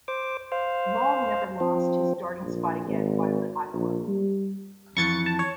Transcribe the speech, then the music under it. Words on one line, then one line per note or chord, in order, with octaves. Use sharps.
Long never lost his starting spot again while at Iowa.
C5 D6
C5 F5
F3 C4
A#1
G#1
A#1
G3
F2 E3 C#6 A6 C#7
A5
C#5